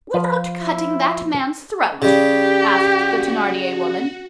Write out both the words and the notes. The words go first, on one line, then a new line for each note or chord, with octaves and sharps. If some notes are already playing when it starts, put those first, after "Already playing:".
"Without cutting that man's throat?" asked, the Thenardier woman.
F3 F4
E4
C#3 G3 G4
F#4